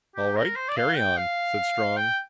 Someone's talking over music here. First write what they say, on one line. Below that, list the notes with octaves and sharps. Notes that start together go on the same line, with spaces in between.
"All right, carry on," said Strong.
G4
A#4
C5
D5
F5
G5
F5
G5